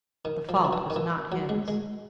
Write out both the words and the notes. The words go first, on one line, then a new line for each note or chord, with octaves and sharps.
The fault was not his.
D#3
F3
F#3
F3
E3
D#3
E3
F#3
G#3
G#3